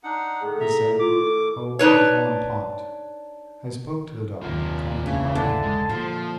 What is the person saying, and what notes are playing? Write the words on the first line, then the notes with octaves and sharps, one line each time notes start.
He said, "Oh, I call him Pont." I spoke to the dog, calling him by name.
D4 D#4 F#5
A2 D3 D#3 G#4
E5 A#5
F4 C#5 D6
A4
C#5
D4 D#4 B4 C#5
F#1 D#2 C3 D#3 F4
E1 C#2 C#3 E3 D4
D3 D4 E4 A5
G#3
A#2 F3 F4 C5